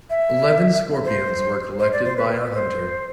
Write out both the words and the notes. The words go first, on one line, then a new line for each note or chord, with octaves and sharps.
Eleven scorpions were collected by a hunter.
E5
C5
C5
D5
C5
B4
B4
C5